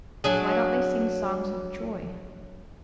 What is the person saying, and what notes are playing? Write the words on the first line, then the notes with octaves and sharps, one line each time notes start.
Why don't they sing songs of joy?
F#3 D4 G#4